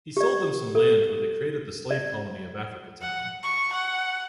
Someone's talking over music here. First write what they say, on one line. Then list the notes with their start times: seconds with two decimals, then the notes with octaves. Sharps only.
He sold them some land where they created the slave colony of Africatown.
0.17 G4 D5
0.75 A4
1.91 D5
3.01 F#5
3.43 C#6
3.72 F#5